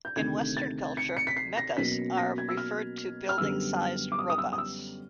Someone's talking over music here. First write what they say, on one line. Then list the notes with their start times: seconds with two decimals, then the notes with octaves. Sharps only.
In Western culture, mechas are referred to building sized robots.
0.05 G6
0.16 D2 C3 D#3 G#6
0.57 A6
0.97 C#7
1.17 C#7
1.27 B6
1.37 C7
1.57 A#6
1.77 B2 F#3 A#3 C#4 B6
2.17 A#6
2.38 G#6
2.49 E6
2.57 F6
3.29 F6
3.38 F#2 D3 G3 B3 E6
4.12 D6
4.19 D#6
4.30 D#6
4.38 E6
4.53 D#6
4.58 E6